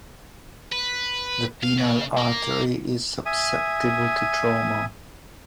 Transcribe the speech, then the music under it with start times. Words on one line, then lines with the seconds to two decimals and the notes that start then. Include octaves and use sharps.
The penile artery is susceptible to trauma.
0.72 B4
1.63 F5
1.78 C#3
2.18 A#3
3.26 E5 G#5 D#6